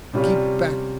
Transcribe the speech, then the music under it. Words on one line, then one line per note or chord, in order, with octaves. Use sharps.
'Keep back!
C3 G3 C#4 F4